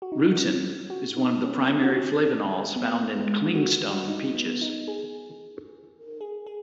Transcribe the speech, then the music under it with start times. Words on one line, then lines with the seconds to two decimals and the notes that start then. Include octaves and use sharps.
Rutin is one of the primary flavonols found in 'clingstone' peaches.
0.02 F#4
0.12 D#4
0.19 F#4
0.37 C#4
0.90 F#4
1.17 D#4
1.43 C#4
1.56 B3
1.70 D#4
1.82 F#4
1.96 C#4
2.76 B3
3.02 B3
3.19 G#3
3.37 B3
3.55 F#4
3.91 F#4
4.08 D#4
4.34 B3
4.62 D#4
4.88 G#4
6.21 G#4
6.46 G#4